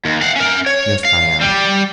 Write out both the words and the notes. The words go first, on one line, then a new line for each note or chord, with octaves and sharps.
"Yes, I am."
D#2
F5 F#5
C#4 A#4
C#5
F5
G3 G4